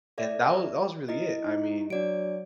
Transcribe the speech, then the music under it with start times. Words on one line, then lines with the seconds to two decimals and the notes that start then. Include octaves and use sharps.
and that wa that was really it, I mean
0.18 A4 D5 E5
1.09 E4 D#5
1.45 D#4
1.90 F#3 D4 D5 D7